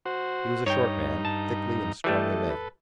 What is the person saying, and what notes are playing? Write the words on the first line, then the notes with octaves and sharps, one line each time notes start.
He was a short man, thickly and strongly made.
F#4 C5
G2 D#4 C#5 G5 A#5
A5
E3 G3 A3 A4 D#5
A4 B4